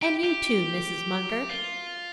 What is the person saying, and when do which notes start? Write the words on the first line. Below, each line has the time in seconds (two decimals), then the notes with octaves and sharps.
And you too, Mrs. Munger.
0.02 G4
0.24 G4
1.49 F4